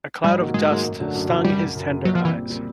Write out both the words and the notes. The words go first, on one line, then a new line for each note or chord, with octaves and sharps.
A cloud of dust stung his tender eyes.
G#2 G3
D#3 F#3 A#3
G#2 G#3
D#3 F#3 A#3
F#2
D3 F#3 A3 D4
F#2
D3 F#3 A3 D4
F#2 G3
C#3 F#3
F#2
C#3 F#3
A#2 F#3
F3
E3 G3 C4
A#2
G3 C4